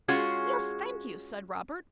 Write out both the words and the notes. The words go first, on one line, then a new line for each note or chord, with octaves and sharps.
'Yes, thank you,' said Robert.
G#3 C#4 F4 F#4 G#4 C#5